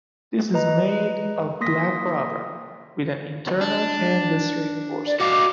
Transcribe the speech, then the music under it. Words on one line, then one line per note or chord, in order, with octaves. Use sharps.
This is made of black rubber, with an internal canvas reinforcement.
B4 D#5 A#5
A#3 C6 D#6 A#6 B6
D4
D5
F#4 D#5 F5 D6